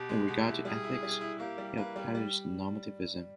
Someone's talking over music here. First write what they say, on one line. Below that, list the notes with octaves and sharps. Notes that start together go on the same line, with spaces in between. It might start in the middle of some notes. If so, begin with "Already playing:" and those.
In regard to ethics, he opposed normativism.
Already playing: B2 G4
G#3
B2
E4
G3 G#4
E4
G3
E4
A#3 G4
G3
A#3 B4
G3
G3